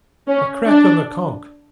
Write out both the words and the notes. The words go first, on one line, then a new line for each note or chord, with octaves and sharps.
A crack on the conk.
C#4
D4